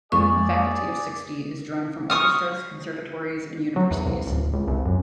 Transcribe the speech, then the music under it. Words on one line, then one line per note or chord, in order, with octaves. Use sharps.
A faculty of sixty is drawn from orchestras, conservatories, and universities.
F2 G#3 A#3 G#4 D5 C#6
C#6 D#6 F6
F#3
E2
C2
D1
C#2
C2
F#2